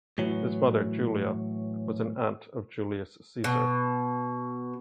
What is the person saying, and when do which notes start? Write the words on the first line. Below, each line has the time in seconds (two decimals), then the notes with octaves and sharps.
His mother, Julia, was an aunt of Julius Caesar.
0.18 A2 E3 F#3
3.44 B2